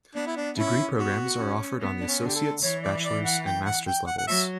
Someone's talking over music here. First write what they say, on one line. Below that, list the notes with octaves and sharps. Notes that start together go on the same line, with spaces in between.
Degree programs are offered on the associate's, bachelor's, and master's levels.
B3 D4
E4
D4
C#4 E4
B3 F#4
C#4
B3
D4
C#4
D3
G4
A4
E3 C#5
D5
D5
F#5
G5
F#5
G5
F#5
F#5
F#3 E5